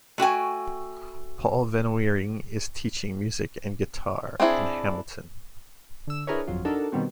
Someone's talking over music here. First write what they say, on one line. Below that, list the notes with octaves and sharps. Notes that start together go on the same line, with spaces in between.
Paul VanWering is teaching music and Guitar in Hamilton.
A3 F#4 G5 G#5
C4 D4 E4 F#4 G#4
D3 E6
D4 E4 G#4 A#4 B4 C#5
G1 F2 F#3 F4
D4 D#4 F#4 A4 A#4
B2 D#3 G3 B3 C4 F#4